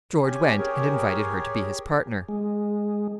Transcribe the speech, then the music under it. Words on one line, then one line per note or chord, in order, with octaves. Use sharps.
George went and invited her to be his partner.
C#4 G4 G#5
G4 G#4 A#4 C#5
G#3